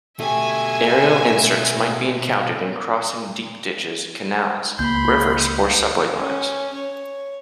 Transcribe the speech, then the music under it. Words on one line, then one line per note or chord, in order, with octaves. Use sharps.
Aerial inserts might be encountered in crossing deep ditches, canals, rivers, or subway lines.
B2 A3 G4 E5 G#5
C#2 A#3 B5 C6 G6
C#4
C#5